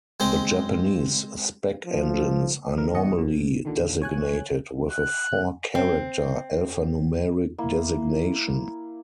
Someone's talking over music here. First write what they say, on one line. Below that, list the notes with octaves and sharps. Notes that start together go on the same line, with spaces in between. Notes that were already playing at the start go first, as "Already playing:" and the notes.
The Japanese spec-engines are normally designated with a four character alphanumeric designation.
G#3 C4 C5
F3
F2 D3 E3 A#4
G1 D#2 B2 F#4 D#5 C#7
A#2
A#2 D3 D#3
C#5 G#5 F#6
F#6
C4
A#3 E4